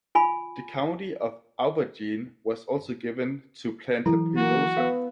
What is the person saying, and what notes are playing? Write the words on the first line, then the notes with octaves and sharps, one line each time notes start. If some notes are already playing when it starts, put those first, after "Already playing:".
The County of Auvergne was also given to Plantapilosa.
F4 G#5 B5
E3 F#3 E4 A4
A#3 F#4
B3 F5 E6